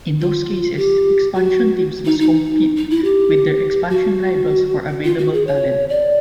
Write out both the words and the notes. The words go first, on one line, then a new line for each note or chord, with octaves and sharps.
In those cases, expansion teams must compete with their expansion rivals for available talent.
F4
G4
F#4
D#4
D#4
D#4
E4
G4
F#4
F4
F#4
G#4
C#5
D5